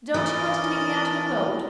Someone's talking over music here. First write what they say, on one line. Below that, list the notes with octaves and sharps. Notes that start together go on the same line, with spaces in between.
"Don't you want to take me out in a boat?"
E3 C#4 A#4 D5 D#5